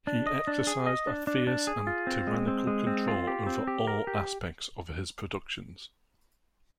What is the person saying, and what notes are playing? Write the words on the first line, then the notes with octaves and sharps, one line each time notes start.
He exercised a fierce and tyrannical control over all aspects of his productions.
D4
D#5
D4
G#4
D#5
D4
D4
D4
G#4
F4
C4
G#3
C4
G#3
C4
F4
G4
C4
G4
A#4
G4